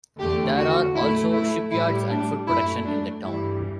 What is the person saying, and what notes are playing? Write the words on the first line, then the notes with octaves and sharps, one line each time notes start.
There are also shipyards and food production in the town.
E2 D3 A3 G4
F#4
A2 F#3 A3 E4
E4
A2 G3 E4
D4
F#2 F#3 A3 E4
D4
G2 E3 G3 E4